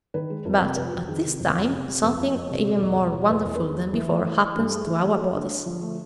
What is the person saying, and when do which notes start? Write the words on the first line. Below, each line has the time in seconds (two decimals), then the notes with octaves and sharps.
But at this time something even more wonderful than before happens to our bodies.
0.14 D#3 B4
0.30 G#3
0.45 F2 A#4
0.54 B4
0.61 C3 A#4
0.76 F2 B4
0.87 F4
0.93 F2 F#4
1.08 D#3 G#4
1.24 C3 A#4
1.39 F2
1.55 F2
1.71 C3
1.88 C3
2.03 F2 B4
2.19 F2
2.35 F2 D#5
2.51 C3
2.66 B2 D5
2.73 D#5
2.80 E2 D5
2.97 B2
3.13 B2
3.29 E2 B4
3.42 E2 A#4
3.55 B4
3.61 E2
3.76 F#3
3.93 E3
4.08 A3
4.24 E3
4.40 E3
4.55 G2 A4
4.72 A3 G#4
4.87 E3
5.03 A3 G4
5.19 A3 F#4
5.35 D3
5.50 D3
5.66 F3
5.81 A3